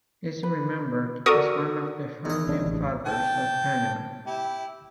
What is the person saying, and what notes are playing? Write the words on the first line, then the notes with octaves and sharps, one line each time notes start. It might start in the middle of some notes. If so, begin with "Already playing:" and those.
He is remembered as one of the founding fathers of Panama.
B4
F#4 A4 A#4 D5 C#6 D#6
E2 D#5
C2 C#3 D4
A1
G5 A5
E4 G4